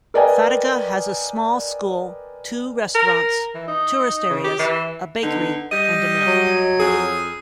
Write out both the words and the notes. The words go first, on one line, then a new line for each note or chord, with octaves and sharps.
Fataga has a small school, two restaurants, tourist areas, a bakery and a mill.
A#4 B4 D5 D#5 G5 G#5
A#4
E3
D#4
C#3
G4
E3
D3 B3 D#4
G3 D#5
F#3
F2 G#4